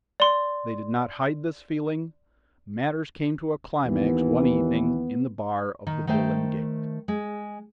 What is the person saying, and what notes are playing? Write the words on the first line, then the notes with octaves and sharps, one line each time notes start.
They did not hide this feeling. Matters came to a climax one evening in the bar of the "Bull and Gate."
D5 C6
D#2 E3 B3
D#3
D#3 A3 C5 G5
G#3